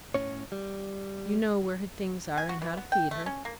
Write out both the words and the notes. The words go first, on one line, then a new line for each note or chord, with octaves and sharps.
You know where her things are, and how to feed her.
A2 C#4 C#5
G3
G#5
F#4
E3
B3
G5
A3
C#4
A#3